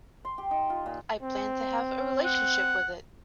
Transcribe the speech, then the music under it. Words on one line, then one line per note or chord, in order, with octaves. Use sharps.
I plan to have a relationship with it.
C6
G4
D#4
F4
A#2
C4
F#5